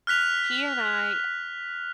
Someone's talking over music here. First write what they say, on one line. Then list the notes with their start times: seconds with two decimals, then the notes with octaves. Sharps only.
he and I
0.07 F6 F#6 B6 F7